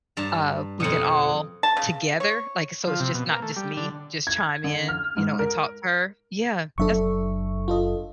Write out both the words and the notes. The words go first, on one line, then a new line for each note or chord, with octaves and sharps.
uh, we can all together, like, so it's just not just me, just chime in, you know, and talk to her. Yeah, that's
G2 A5 A#5
F2 B2 D#6 C#7
A5
C#3
C#5
F3
C3
B2
A#3
A3
G3
D3
G#6
D3
F6
G#2
A#4
F#1 F#3 D4 A4 E5 C#6
F4 A4 D#5